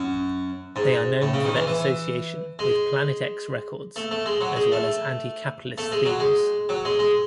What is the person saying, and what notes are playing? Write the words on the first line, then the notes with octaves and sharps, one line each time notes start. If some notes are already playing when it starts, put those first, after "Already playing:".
They are known for their association with Plan-It-X Records, as well as anti-capitalist themes.
Already playing: F#2
G#2
A2
C#3
D#3
E3
E3
G#3
A3
A3
G#3
F#3
G#3
A3
A3
G#3
F#3
G#3
F#3
G#3
G#3